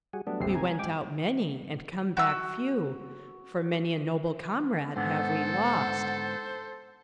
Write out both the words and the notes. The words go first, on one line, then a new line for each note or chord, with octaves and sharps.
We went out many, and come back few, for many a noble comrade have we lost.
G3 F#4 G#4
F#3 G3 A3 B3 D4
F1 A#1 C3 C4 C7
G#5 A#5
G#2 G5 D6
F#4 E6
G#2 D3 B3 A4 C5 F#5